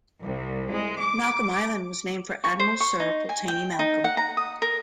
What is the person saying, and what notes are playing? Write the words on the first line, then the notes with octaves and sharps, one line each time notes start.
Malcolm Island was named for Admiral Sir Pulteney Malcolm.
C2
G#3
D6
C#6
C5
C#6
D#4
G#5
G5
D#4
F#5
A#5
D#6
A#4